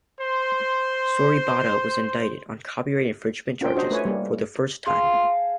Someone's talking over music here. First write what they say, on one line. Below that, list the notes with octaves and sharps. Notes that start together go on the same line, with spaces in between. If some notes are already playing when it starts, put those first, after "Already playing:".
Soribada was indicted on copyright infringement charges for the first time.
C5 C6
C#4 F4 A#4 C5 G5
D4 F#4 C5 D#5
A3 B4 C#5 G#5
G3 A#3
G#4 F5 A5 C6